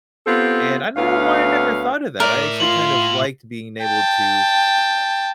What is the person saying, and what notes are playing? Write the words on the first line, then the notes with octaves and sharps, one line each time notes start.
and I don't know why I never thought of that. I actually kind of liked being able to,
B3 C4 F4 G4 A4
D2 B3 C#5 F5
A2 A#4 D5 E5
F4 F#7
G5 A5